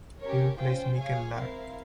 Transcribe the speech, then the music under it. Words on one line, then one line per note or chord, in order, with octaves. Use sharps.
He replaced Mihkel Laar.
C#4 G4 A#4 C#5
C#4 F4 C5 G5
G#4 C#5 F5 G#5
C4 E4 A#4 F5